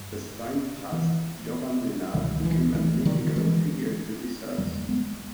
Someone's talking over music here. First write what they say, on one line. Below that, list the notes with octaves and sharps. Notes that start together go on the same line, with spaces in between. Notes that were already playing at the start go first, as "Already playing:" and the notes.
As time passed, Jovan Nenad became a mythical figure to the Serbs.
Already playing: G2
E3
C#2 B2 D#3 G3
E3
E3
D#3 G3
E3 G#3
E2 C#3 G3 A#3
G#3 B3